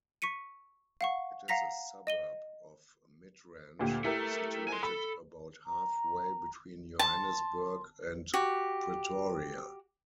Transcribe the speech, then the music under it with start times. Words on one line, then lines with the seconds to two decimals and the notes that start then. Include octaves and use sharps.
It is a suburb of Midrand, situated about half way between Johannesburg and Pretoria.
0.22 C#6 B6 C#7 D#7
1.01 F5 F#5 C#6
1.48 F5 F#5 A#5 A#6 B6 F7
2.07 D#5 D#7 G7
3.79 D2 A#2 G4
4.04 A3 E4 G4 A#4
4.69 G#5 C6
4.83 A4 B5
5.67 A#5
6.99 A5 C6
8.34 F#4 G4